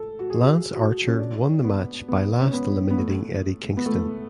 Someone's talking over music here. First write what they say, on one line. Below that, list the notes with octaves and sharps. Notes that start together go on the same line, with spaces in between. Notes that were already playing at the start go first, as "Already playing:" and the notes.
Lance Archer won the match by last eliminating Eddie Kingston.
Already playing: A4
F#4
G#4
F#4
C#4
D4
B3
B3
C#4
B3
B3
A3
B3
A3